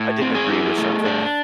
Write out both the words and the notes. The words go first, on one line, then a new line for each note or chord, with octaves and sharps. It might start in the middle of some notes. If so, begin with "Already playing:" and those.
I didn't agree with something
Already playing: A2
C4
G#4
E4
A3
D4